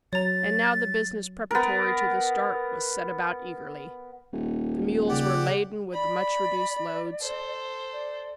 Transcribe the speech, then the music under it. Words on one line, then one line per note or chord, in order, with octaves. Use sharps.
And now the business preparatory to the start was set about eagerly. The mules were laden with the much-reduced loads.
F#3 C#5 A#5 A6
B3 A#4
D#1
C#3 G4 D5 F#5
D5 B5
A4 C5
D5